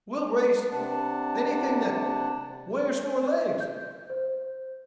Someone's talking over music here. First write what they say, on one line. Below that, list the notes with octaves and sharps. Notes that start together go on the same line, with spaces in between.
We'll race--anything that--wears four legs.
C3 D4 F#5 A5
G6
C5